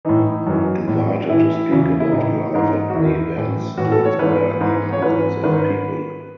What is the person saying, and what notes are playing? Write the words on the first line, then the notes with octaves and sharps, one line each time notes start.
Invited to speak about her life at many events to inspire thousands of people.
A2 E3 D#4
F#2 E3
A2 E3
A2 E3 E4
E2 C#3 E3
E4
A2 E3 D#4
G#2 E3 D#4
F#4
E2 D#3 E4
A2 E3
A2 E3 F#4
A4
C#5
G#2 E3 B4
G#2 E3
C#5
G#2 E3 B4
G#2 D#3 B4